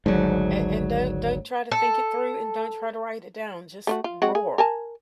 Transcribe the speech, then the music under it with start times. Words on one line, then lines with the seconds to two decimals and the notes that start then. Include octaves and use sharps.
And and don't don't try to think it through, and don't try to write it down, just roar,
0.06 G#1 D2 G#2 F#3
1.71 A4
3.87 A3 F4 F#4
4.04 F4
4.22 G#3 C4 F#4
4.35 G#4
4.58 A#4 G#5 A5